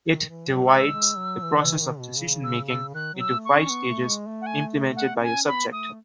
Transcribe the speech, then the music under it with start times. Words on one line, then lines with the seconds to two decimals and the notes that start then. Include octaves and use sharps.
It divides the process of decision making into five stages implemented by a subject.
0.10 D#3
0.29 E3
0.48 F#3
0.67 G#3 E6
0.92 G#3
1.17 F#3
1.43 E3
1.62 E3
1.81 D#3
2.00 B2
2.18 C#3
2.44 E6
2.69 E6
2.94 D#3 F#6
3.13 F#3
3.20 E6
3.32 A3
3.45 C#6
3.51 C#4
3.65 C#4
3.70 B3
3.89 A3
4.08 G#3
4.27 A3
4.41 F#5
4.46 G#5
4.96 F#5
5.22 C#4 G#5
5.47 B3 B5
5.72 A3 D#6